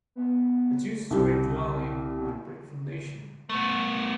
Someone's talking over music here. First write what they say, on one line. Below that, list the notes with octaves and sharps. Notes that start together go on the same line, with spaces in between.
A two story dwelling, on a brick foundation.
B3
C2 G3
A3 B3